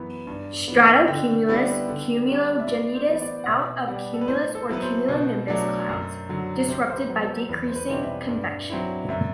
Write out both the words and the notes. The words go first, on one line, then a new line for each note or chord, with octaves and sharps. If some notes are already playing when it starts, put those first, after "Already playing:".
Stratocumulus Cumulogenitus out of cumulus or cumulonimbus clouds, disrupted by decreasing convection.
Already playing: F#2 E3 B3 B5
G2
E3 B3
D3 G5
G3 B3 E4
D3
G3 D4
E5
A2 D5
C5
E3 B3
D5
F#5
B2 E5
G3 B3 F#5
A4
B4
A2 C5
A4
F#3 B3 E4 B4
C5
B2
F#3 A3 D4
F#2
D3 F#3
C3 C5
C5
B4
F#3 B3
A4
E2 B4
C5
B4
B2 G3 C4 E4
E5
G2
F#3 C4 E4
F#2 E5